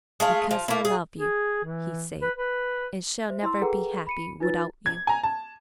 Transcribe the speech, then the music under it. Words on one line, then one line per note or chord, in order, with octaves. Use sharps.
"Because I love you," he said, "and shall never be happy without you."
G#3 A3 F4
F3
A#3 E4
G#4
G#4
E3
B4
B4
C5 E5
E4 C6 E6
G#4 A4 B4 F#5 G5 A#5
B5 C#7 D#7
D#4 F4 B4 A6
G#6
G#5 A#5
A5